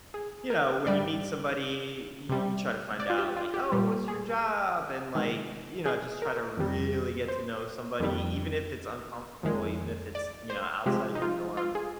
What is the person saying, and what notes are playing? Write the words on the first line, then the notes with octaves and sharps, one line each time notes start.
you know, when you meet somebody, y you try to find out like, "Oh, what's your job?" And, like, you know, just try to really get to know somebody even if it's uncomfortable, even if it's, you know, outside of your norm.
G#4
A#4
G#2 G3 D5
C3 G3
D5
F4
G4
F4
G4
A#2 G3
G#4
C3 D#3 G#3
G#4
A#4
F2 D#3 G3
C5
F2 D#3 G3
F2 D#3 G#3
D5
C5
C3 F3 G#3 G4
D#4
F4
F4
G#4